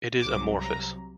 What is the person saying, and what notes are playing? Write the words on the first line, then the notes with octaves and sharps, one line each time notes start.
It is amorphous.
C2 C3 F#3 D6
A#5